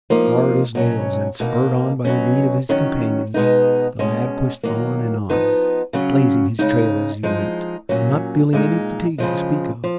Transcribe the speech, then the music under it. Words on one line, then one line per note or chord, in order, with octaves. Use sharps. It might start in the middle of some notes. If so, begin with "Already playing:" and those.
Hard as nails and spurred on by the need of his companions, the lad pushed on and on, blazing his trail as he went, not feeling any fatigue to speak of.
F3 A#3 D#4
B2 F#3 C#4
B2 A#3 D#4
B2 F#3 C#4
D#3 F#3 C#4
B2 G#3 B3 D#4
B2 G#3 C#4
D#3 F#3 A#3
F3 B3 D#4
C#3 F#3 C#4
C#3 G#3 D#4
F3 G#3 D#4
A#2 F#3 C#4
A#2 G#3 D#4
C#3 F3 G#3
F3